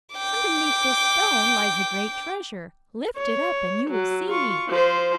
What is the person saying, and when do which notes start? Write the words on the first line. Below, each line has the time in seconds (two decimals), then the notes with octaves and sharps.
"Underneath this stone lies a great treasure; lift it up, and you will see."
0.15 G5 D6
3.17 C#5
3.91 F#3
4.28 F4 C#6
4.69 F3 C5